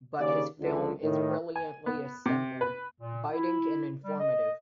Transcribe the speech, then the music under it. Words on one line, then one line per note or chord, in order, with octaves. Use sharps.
But his film is brilliantly assembled, biting and informative.
D#2 C#3 D5
C#2 D3
A2 D#3
G#5
B3
C3
B4
A#2
E4
G3
D#5